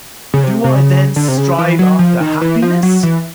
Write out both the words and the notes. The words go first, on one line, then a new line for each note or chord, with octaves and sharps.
Do I then strive after HAPPINESS?
C#3
C3
C3
C#3
D3
C3
C#3
E3
F#3
F3
D#3
E3
F3
F#3
E3